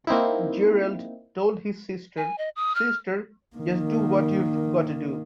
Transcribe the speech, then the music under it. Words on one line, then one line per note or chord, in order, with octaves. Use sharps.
Gerald told his sister, Sister, just do what you've gotta do.
A#3 C4 D#4 E4
G#5
D#5
D#6
F6
D#3 A#3